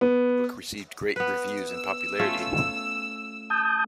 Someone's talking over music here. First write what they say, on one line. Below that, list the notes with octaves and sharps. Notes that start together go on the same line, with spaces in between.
The book received great reviews and popularity.
B3
B3 B4
E6
A3 C#4 F4
A5 D#6 G6